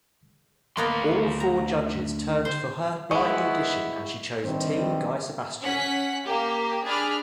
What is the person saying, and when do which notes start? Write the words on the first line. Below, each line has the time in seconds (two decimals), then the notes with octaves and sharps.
All four judges turned for her blind audition and she chose Team Guy Sebastian.
0.77 D2 A#3 B3 A#4 C6
1.40 A#5
2.45 C5
3.11 G#3 B3 E4 F#5 C#6
4.45 G2 C3 D#3 C4
5.61 C#4 F#5 B6
6.26 A#3 G4
6.85 D4 G#4 D5 B5 F6